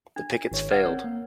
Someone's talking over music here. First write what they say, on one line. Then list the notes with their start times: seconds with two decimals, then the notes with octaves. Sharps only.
The pickets failed.
0.16 D4
0.52 G#1 C#5
0.71 B4 D5 F#5 E6 F6 G#6
0.86 C4 A#4 C#5
1.04 A#3